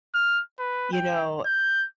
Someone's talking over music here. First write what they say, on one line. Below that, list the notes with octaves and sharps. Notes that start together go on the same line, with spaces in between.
you know,
F6
B4
G5
G6